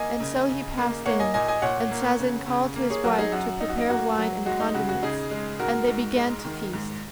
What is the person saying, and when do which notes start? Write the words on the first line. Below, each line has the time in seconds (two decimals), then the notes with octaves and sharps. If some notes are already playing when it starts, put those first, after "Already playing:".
And so he passed in, and Sazen called to his wife to prepare wine and condiments; and they began to feast.
Already playing: A#3 D#5 G#5
0.20 C#3
0.49 C#3
0.78 A#3
1.05 A#3 C#5 F#5
1.20 D#5 G#5
1.34 A#2 D#5 G#5
1.48 D#5 G#5
1.62 A#2 C#5 F#5
1.91 A#3
2.19 C#3
2.47 C#3
2.76 A#3
2.90 G#4 C#5
3.04 F#3 F#4 A#4
3.18 D#4 G#4
3.32 F#2 F#4
3.60 F#2 D#4
3.69 F#4
3.78 D#4
3.89 A#3 F#4
4.17 F#3 F#4
4.46 G#3 F#4
4.60 D#4
4.74 C#3 F#4
4.89 F#4
5.03 C#3 D#4 G#4
5.31 G#3
5.59 G#2 F#4 A#4
5.88 G#2
6.16 G#3
6.45 D#3
6.73 G#2